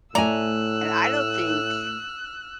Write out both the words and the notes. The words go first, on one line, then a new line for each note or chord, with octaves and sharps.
and I don't think
A2 A3 D5 G#5 A#5 E6 F#6